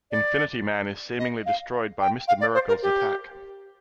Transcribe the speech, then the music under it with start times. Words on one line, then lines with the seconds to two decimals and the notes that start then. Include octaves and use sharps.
Infinity-Man is seemingly destroyed by Mister Miracle's attack.
0.11 D5
1.19 D#5
1.46 F5
2.01 G5
2.28 F5
2.41 D5
2.54 C5
2.68 A#4
2.82 G4